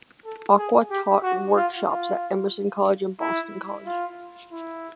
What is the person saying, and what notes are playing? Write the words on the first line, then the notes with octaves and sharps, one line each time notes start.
Aqua taught workshops at Emerson College and Boston College.
A4
G#4
G4
F#4
F4
F4
E4
F4
E4